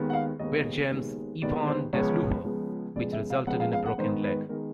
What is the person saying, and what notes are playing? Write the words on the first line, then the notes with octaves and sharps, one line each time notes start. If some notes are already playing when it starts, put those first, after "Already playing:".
Waregem's Ivan Desloover, which resulted in a broken leg.
Already playing: D#2 D#3 G#3 B3
F#5
F5
D#2 D#3 G#3 B3 D#5
D#2 D#3 G#3 B3
D#2 D#3 G#3 B3 D5
C5
C#2 C#3 F3 G#3 B3 C#5
C#2 C#3 F3 G#3 B3
C#2 C#3 F3 G#3 B3 D5
E5
F5
C#2 C#3 F3 G#3 B3 F#5
F5
F5
F#5
G#2 D#3 G#3 B3 C5
B4
D#3 G#3 B3 A#4